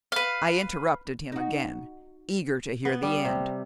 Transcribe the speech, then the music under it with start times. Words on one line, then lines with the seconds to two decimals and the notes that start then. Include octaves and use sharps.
I interrupted him again, eager to hear the end.
0.12 B4 F5
1.32 D#4 F#4
2.85 B3
3.03 G3
3.25 C3